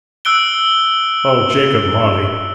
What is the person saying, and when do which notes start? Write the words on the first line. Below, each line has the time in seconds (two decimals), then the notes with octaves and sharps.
O Jacob Marley!
0.25 E6 F#6 D7 G7